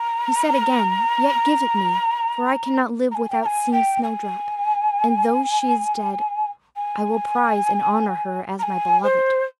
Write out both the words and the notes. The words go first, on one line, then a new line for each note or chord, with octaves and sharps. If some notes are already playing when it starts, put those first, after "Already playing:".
He said again, "Yet give it me; for I cannot live without seeing Snowdrop, and though she is dead, I will prize and honour her as my beloved."
Already playing: A#5
A#5
G#5
G5
A#5
G#5
G5
G#5
G#5
A#5
G#5
C5